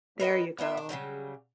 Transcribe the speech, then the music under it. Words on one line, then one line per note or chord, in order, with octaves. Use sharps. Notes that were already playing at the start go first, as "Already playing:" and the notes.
There you go.
A#4 B4 D#5 G5
B3 D4 F4 E5
D4
C#3 E3 F#3 G3